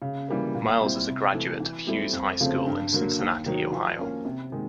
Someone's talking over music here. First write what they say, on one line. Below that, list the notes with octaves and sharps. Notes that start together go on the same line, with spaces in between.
Miles is a graduate of Hughes High School in Cincinnati, Ohio.
C#3
E3 G3 A#3
A#2
G3 C4 E4
C3
E3 A3
E3
G3 C4 E4 A4
F2
C#3 F3 A3 C4
G2
D3 F#3 A#3
D#2
D#3 F#3
F3
A#3 C#4
C3
D#3 G#3